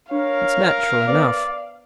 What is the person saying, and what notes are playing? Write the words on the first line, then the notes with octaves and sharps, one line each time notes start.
It's natural enough.
D4 A#4 C#5 F5
B3 B4 C5 D5